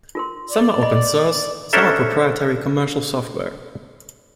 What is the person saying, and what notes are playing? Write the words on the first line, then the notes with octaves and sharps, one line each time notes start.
Some are open source; some are proprietary commercial software.
F4 A#4 C6
D5
D#5 B5
C#4 D4 A4 A#4 C5 E5